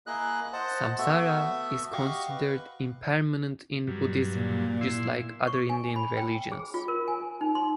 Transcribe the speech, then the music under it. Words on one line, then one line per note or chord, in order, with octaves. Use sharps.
Samsara is considered impermanent in Buddhism, just like other Indian religions.
A#3 E4 G#4 D#5 F#6
C5 D#5 F#5 A5
A3 B3 F#4 E5
F#4 G4 D#5 F5 C#6 D6
B4
G2 F#3
A#2
E4 C6
C#6
G#5
B5
G5
G#4
F4
A#4
G#5
D#4
C6